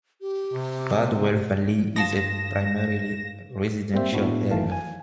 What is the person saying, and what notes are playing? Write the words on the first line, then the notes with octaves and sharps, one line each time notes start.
Bardwell Valley is a primarily residential area.
G4
C3
G2 F4 A5 D#6 A#6 E7
G3 A#3 C4 C5 E5
A2 G#3 B3 D4 E4 F#4
G#1 D#3 E3 A3 F5 A5
G#5